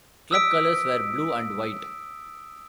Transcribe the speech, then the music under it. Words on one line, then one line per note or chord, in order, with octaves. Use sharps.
Club colours were blue and white.
D#6 E6 B6 D7